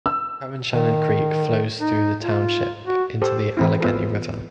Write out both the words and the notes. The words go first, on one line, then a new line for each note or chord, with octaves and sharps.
Cowanshannock Creek flows through the township into the Allegheny River.
E6
D#3
D#4
F4
F#4
G4 A4 C5
E3 C4 E4
B3 F4 A4